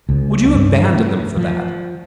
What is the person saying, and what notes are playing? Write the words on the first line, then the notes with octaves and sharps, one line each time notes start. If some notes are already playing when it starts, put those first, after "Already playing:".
Would you abandon them for that?
C#2
G2
A3
F3